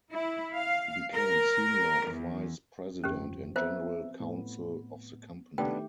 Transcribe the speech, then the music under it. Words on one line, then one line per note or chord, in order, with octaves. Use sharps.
He became senior vice president and general counsel of the company.
E4
F5
A#4
E2
G1 F2 F3 C4 C#4 G4
B3 C4 F4 C5 E5
A2 B3
D#3 A3 B3 D4 G4 B4 G5